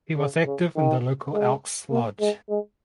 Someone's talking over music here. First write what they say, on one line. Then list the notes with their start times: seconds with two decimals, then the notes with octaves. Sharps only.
He was active in the local Elks lodge.
0.17 C#3
0.46 C#3
0.76 D#3
1.33 G#3
1.91 A#3
2.20 G#3
2.49 G#3